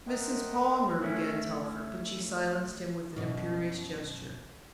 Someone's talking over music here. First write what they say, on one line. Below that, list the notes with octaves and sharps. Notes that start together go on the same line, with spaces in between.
"Mrs. Palmer," began Telford, but she silenced him with an imperious gesture.
A#4 C5 D#5 E5 F#5 G5
A3 C#4 E4
F#2 B2